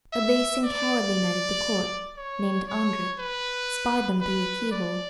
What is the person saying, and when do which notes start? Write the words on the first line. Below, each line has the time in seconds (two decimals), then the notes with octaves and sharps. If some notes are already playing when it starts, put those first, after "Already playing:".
A base and cowardly knight of the court, named Andret, spied them through a keyhole.
0.13 E5
0.64 D5
2.17 C#5
2.68 C#5
3.19 B4
4.21 B4
4.71 D5